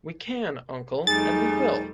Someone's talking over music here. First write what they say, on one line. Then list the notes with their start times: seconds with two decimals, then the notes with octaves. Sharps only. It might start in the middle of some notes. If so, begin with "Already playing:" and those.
We can, uncle, and we will!
1.07 F2 G3 A3 D#4 G#4 A6